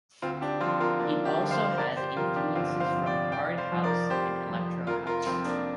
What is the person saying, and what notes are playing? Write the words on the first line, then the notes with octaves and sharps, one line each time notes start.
It also has influences from hard house and electro house.
D2 C4 F4
D4 G4
D3 F3 C4 F4
F4 A#4
D2 A#3 D4
D4 G4
D3 F3
C5 F5
C5
G1 A#4 D5
G4 C5
G4
F2 C3 F4 A#4
D4 G4
G1 C4 F4
C5 F5
F2 C3
D5 G5
F1 D5 G5
C5 F5
F2 F3
A#4 D5
F1 G4 C5
F2 F3
F1 F4 A#4
F4 A#4
F2 F3 C4 F4
A#3 D4